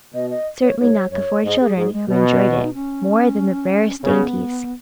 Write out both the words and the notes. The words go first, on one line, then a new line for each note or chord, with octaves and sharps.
Certainly not the four children, who enjoyed it more than the rarest dainties.
B2 D#5
D#5
C#5
G#2 C#5
F#2 C#5
G#2 D#5
G#4
G#2 G#4
G#3
B2 B3
F#4
D#4
C#4
C#4
C#3 B3